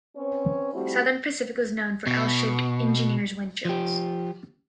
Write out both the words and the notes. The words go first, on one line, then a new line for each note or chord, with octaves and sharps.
Southern Pacific was known for L-shaped engineer's windshields.
C4 C#4 B4 C#5
F3 G3 A3 C4 E4 F#4
B2
F3 G4